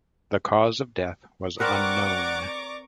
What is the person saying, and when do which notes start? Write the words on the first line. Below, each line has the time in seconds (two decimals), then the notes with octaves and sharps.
The cause of death was unknown.
1.60 C4 A#4 B4 D5 F#5 A#5 C#6 D6